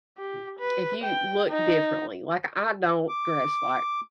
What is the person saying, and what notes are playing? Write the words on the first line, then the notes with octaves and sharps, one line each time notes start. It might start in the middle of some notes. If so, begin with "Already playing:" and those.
mm if you look differently like, I don't dress like
G4
B4
G5
D#4
D6